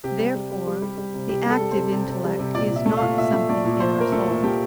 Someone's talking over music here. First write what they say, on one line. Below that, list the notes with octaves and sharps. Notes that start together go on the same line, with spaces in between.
Therefore the active intellect is not something in our soul.
C3 G4
G3
G3
G3
G3
G3
G3
C3
C3 G4
G3 A4
G3
C3 C5
C3
C3
G3
C3
A#2 D5
A#2
E5
A3
F5
A#2
A#2 E5
A3
A3 D5
A#2
A#2 C5
A#2 A#4
A3 A4
A#2
A3 G4